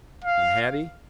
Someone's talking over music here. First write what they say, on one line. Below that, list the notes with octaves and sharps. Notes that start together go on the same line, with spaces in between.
And Hattie?
F5